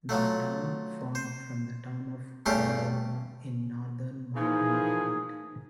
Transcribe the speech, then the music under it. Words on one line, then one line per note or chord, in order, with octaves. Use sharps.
The town formed from the town of Caughnawaga in northern Montgomery County.
F3 F#3 A3
C5
E2 G2 A3 C#4 G4 C6
E3 F3 A#3 D#4 G#4